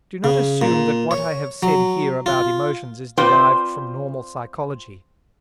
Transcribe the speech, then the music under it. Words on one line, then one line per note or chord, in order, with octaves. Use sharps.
Do not assume that what I have said here about emotions is derived from normal psychology.
C#3
A#2
C#5
F#3
F4
C4 F4 B4 C5 D5 G5